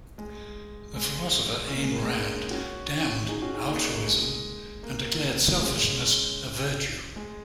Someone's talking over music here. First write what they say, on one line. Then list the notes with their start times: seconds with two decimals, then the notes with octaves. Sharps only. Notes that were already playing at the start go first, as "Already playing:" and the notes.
The philosopher Ayn Rand damned "altruism" and declared selfishness a virtue.
0.18 G#3
0.96 G#3
1.68 C#4
1.74 A#3
1.83 G#3
1.92 A#3
2.02 G#3 C#4
2.51 C#4 F#4
3.29 D#4 G#4
3.42 C#4 F#4
3.54 D#4 G#4
3.67 A#3 D#4
4.06 G#3
4.83 A#3
5.61 G#3 C#4
7.16 G#3